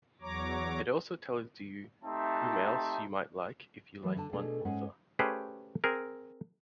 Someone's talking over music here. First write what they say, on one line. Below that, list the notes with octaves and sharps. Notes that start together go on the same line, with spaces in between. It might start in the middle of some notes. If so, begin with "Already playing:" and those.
It also tells you whom else you might like if you like one author.
E2 F#3 C#5 A#5 D6
A3 C4 D#4 G4 E5 A5
E3 F#3 A3
D3 A5
B2 A3 D4 G#4 A4
G#2 G#3 C#4 F#5
A3 C#4 G4 G#4 B4 C5
C4 G#4 A#4